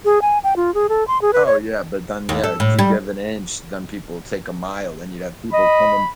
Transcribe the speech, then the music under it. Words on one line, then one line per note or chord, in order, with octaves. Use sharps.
Oh, yeah, but then yeah, if you give an inch, then people take a mile, then you'd have people come and
G#4
G#5
G5
F4
G#4
A4
C6
G#4
B4
C#5
D#2
A4
A2
G3
D#5 B5